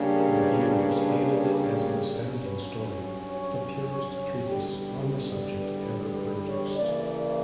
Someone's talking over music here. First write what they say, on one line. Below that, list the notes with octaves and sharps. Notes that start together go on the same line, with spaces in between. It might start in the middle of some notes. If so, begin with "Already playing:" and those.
Reviews hailed it as an astounding story...the purest treatise on the subject ever produced.
Already playing: C#3 G3 A#3 D4
A#4
B4
G2 F#3 C#4 A#4
B4
C#5
C#5
C#5
E2 D3 G3 B3 G4
G4
F#4
D5
B4
B4
C#5
C#3 E3 A#3 D5